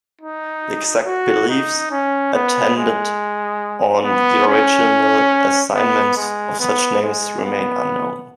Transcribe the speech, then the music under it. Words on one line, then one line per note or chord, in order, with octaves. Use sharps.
The exact beliefs attendant on the original assignment of such names remain unknown.
D#4
F#4
D#4
C#4
B3
G#3
B3
C#4
B3
G#3
B3
G#3
B3